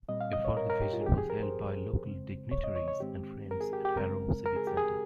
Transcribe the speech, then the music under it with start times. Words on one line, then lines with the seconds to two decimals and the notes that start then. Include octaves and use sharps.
A further vigil was held by local dignitaries and friends at Harrow Civic Centre.
0.08 A#2 G3 C4 D#5
0.21 F5
0.33 D#5
0.45 C#5
0.57 A#4
0.70 A#4
0.81 G4
0.93 F4
1.01 G#4
1.06 G#2 F3 C4 G4
1.18 G#4
1.30 A#4
1.43 C5
2.03 F2 C#3 G#3 C4
2.51 C#5
2.64 D#5
2.76 C#5
2.88 C#5
3.00 G#2 D#3 G#3 C4 G4
3.51 A#4
3.61 G#4
3.73 G4
3.85 G4
3.97 C#3 G#3 C4 A#4
4.46 A#4
4.56 G#4
4.67 G4
4.77 G#4